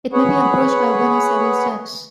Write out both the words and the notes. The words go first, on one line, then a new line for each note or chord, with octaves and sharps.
It may be approached by one or several steps.
G#4 B4 C#5 F#5